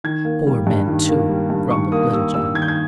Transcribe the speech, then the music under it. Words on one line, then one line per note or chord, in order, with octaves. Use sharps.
"Poor men, too," grumbled Little John.
D#3 G#6
A#3
G3
G2
D#3
A#3
G3
G2
D#3 C#6
A#3 D#6
G3 E6
G2 E6
D#3 G#6
G6
G#6